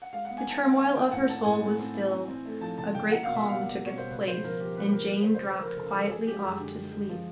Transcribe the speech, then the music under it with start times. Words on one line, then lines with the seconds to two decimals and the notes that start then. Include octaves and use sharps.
The turmoil of her soul was stilled; a great calm took its place, and Jane dropped quietly off to sleep.
0.02 F#5
0.13 G#3 F5
0.25 B3 F#5
0.38 G#5
0.46 D#3 A5
0.62 B3 G#5
0.79 D#3 G#5
0.95 D#3 G5
1.11 A2 F#5
1.29 C4 A5
1.45 A2 G#5
1.62 C4
1.79 C4
1.95 E3
2.11 C4
2.28 C4
2.45 A3
2.61 F3 A5
2.78 C#3 A5
2.95 C#3 G5
3.11 A#3 F#5
3.23 B2 F5
3.35 E5
3.45 B2 F5
3.61 G3 F#5
3.78 G3
3.86 C#5
3.94 B2 C5
4.10 C#3 B4
4.28 F3 C5
4.44 F3 A#4
4.60 F3 G4
4.77 A#3 B4
4.93 C#3 A#4
5.10 A3 B4
5.22 C5
5.27 C#3
5.34 C5
5.43 C#3 B4
5.61 F3 A#4
5.76 C#3 A4
5.93 F3 A4
6.09 F3 G#4
6.26 G#3 G4
6.42 F#2 G#4
6.60 D3
6.75 G#3
6.93 G#3
7.09 F3